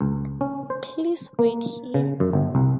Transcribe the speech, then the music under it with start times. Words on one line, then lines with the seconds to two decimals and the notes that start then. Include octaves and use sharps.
Please wait here.
0.01 C#2
0.41 C#4
0.70 C5
1.39 A#3
1.94 C#3
2.20 F#2
2.33 G1
2.55 C2